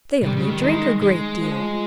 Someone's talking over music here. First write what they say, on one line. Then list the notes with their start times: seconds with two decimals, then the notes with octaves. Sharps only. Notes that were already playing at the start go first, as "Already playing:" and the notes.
They only drink a great deal.
0.22 C3 G3
0.36 C#3
0.49 D#3
0.61 D#3 G#3
1.01 G#3
1.41 F3